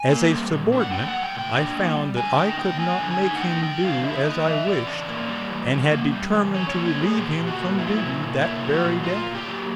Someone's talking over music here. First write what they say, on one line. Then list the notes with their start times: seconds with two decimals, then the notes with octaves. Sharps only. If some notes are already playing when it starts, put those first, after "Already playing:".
As a subordinate I found that I could not make him do as I wished, and had determined to relieve him from duty that very day.
Already playing: G#5
0.09 A#3
0.30 G3
0.51 A#2
0.72 D4
0.81 F#5
0.92 A#3 G5
1.08 G3 F#5
1.23 G5
1.35 A#2 G5
1.54 D4
1.76 A#3
1.96 G3
2.17 D3 G#5
2.38 D#4 G5
2.58 A#3 G5
2.80 F3 G#5
3.00 D3
3.11 G#5
3.21 D#4
3.35 F#5
3.42 A#3 G5
3.62 F3 G5
3.84 D3 F5
4.04 D#4 E5
4.25 A#3 D#5
4.46 F3 E5
4.67 E3 D5
4.87 C#4
5.09 A#3
5.29 G3
5.50 E3
5.70 C#4
5.91 A#3
6.12 G3
6.33 E3
6.54 C#4 C#5
6.69 C#5
6.75 A#3
6.86 C#5
6.95 G3
7.00 G#4
7.16 A#2 G4
7.37 A#2
7.47 F#4
7.57 A#3
7.78 F#3 E4
7.87 F4
7.95 A#2 E4
8.21 A#2
8.41 A#3 E4
8.62 F#3
8.73 F#4
8.83 A#2
9.03 A#2 F4
9.24 A#3
9.35 G4
9.45 F#3